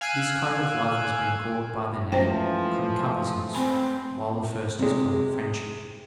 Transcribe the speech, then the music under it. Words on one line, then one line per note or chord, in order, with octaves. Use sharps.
This kind of love has been called by the name "concupiscence" while the first is called "friendship."
F5 G#5 E6 F#6 G#6 D7
E3 F3 G#3 A3 C#4 C5 G5
C4 G#5 B5
C3 G#3